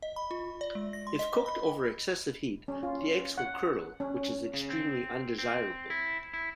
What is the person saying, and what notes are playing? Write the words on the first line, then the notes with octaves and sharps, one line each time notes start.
If cooked over excessive heat, the eggs will curdle, which is extremely undesirable.
D#5
B5
F4
D5
G#3
A#6
C6
D#5
B5
C#4
F4
F#5
C#4
C#3
C4
C4
E4
E4